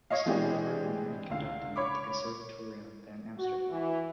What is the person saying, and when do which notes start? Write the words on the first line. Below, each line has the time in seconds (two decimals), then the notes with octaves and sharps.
He studied the violin and conducting at the Conservatorium van Amsterdam.
0.10 C#5 D#5 F5
0.26 E3 G#3 C4 D4 G4 G#4
1.30 C#2 D3 F5
1.76 C#5 B5 D6
3.37 F#4
3.70 E3